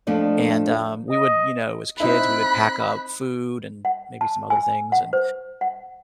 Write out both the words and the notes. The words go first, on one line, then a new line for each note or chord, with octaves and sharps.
And, um, we would, you know, as kids, we would pack up food and maybe some other things and
F2 F3 A3 D4 D#5
D#5
C4 D#4 E4 B5 F#6
F#5
A5
G#5
F#5
C5
F#5